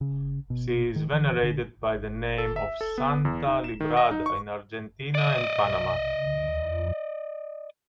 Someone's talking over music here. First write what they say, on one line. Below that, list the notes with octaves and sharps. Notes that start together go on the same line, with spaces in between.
She is venerated by the name of Santa Librada, in Argentina and Panama.
C#3
B2
D#3
E3
D3
A4
E5
A4
B3
E2
D#4
E7
D#3
D#5
D#4
C#6
D5 D#5